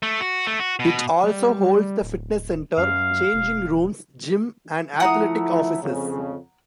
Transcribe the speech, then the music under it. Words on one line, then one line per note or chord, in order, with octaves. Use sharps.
It also holds the fitness center, changing rooms, gym, and athletic offices.
A3
F#4
A3
F#4
B2
G3
D1
F#2 F5
E1
F3 A3 E4 F#5 A#5 D#6
F2 C#3